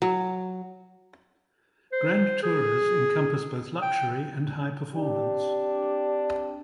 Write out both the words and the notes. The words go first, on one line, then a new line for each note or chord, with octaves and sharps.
Grand Tourers encompass both luxury and high-performance.
F#3
C5
G#4
G5
C4 D4 G4